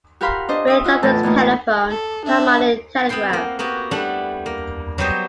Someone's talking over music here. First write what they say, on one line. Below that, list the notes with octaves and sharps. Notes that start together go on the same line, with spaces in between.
Gray dubbed his telephone "the harmonic telegraph".
F#4 G4 A#4 F5 B5 C6
D4 C5 D#5
E5 D#6
F4 F#4 F#5 E6
E2 A2 A3 A5
E2 A2 A#3 D#4
A4
D4 E5
B3 C4 E4 G5 C6
A3 A#3
A#3 B3 F#4 G4
G3 A3 D4 E4 F#5
A#3
F#3 G3 B3 G4 C5 D#5